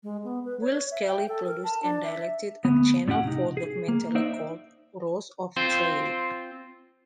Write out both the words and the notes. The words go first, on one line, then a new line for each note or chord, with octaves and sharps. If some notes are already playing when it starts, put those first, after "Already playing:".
Will Scally produced and directed a Channel Four documentary called "Rose of Tralee".
G#3
B3
B4
C#5
E5
G5
A4
A#4
A5
D4
E5
D2 B3
A2 C#4 G4 F#5
C3 D#4
G#4
A#3
D#4 C5 D5 E5
C4 F4 C5